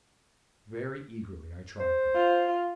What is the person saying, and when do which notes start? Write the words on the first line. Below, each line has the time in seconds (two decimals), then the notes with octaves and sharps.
Very eagerly I tried them.
1.80 C5
2.15 F4